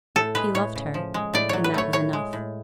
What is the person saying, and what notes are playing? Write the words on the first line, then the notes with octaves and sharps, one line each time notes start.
He loved her, and that was enough.
A2 A4
G#3 B4
A2 C#5
C#3
F3
G#3
A2 D5
F#3 C#5
B4
A3 C#5
A2 C#5
G#3
A2